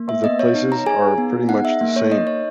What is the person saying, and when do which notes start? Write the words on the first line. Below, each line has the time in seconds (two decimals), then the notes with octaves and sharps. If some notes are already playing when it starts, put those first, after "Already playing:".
of the places are pretty much the same
Already playing: A#3
0.09 E5
0.24 B3 D#5
0.39 C#5
0.55 D#4
0.72 A#5
0.86 G#4 G#5
1.18 B3
1.49 D#4 F#5
1.65 E5
1.81 A#3
1.96 C#5
2.11 D#4 D#5
2.27 C#5